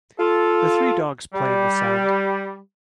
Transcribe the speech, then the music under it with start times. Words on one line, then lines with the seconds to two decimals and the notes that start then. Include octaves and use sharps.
The three dogs play in the sand.
0.19 F4 A4
1.33 G3